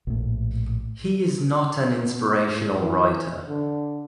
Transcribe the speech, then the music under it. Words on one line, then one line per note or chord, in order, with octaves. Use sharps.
He is not an inspirational writer.
A#1 A2
B2
A2
E3
D3